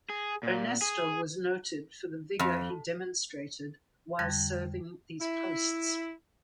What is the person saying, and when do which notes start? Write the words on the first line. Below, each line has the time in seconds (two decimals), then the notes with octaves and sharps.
Ernesto was noted for the vigour he demonstrated while serving these posts.
0.09 G#4
0.43 A#2
0.82 G#4
2.39 F2
4.19 F2 D3 G3 A6 A#6
5.21 E4